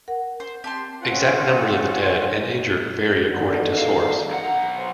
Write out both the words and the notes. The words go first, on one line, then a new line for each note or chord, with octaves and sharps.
Exact numbers of the dead and injured vary according to source.
A#4 F#5
C5
C4 G4 A5 C6
C4 C#4 F4 F#5
E2 D3 D#3
F5
B1 F#5 A#5
C5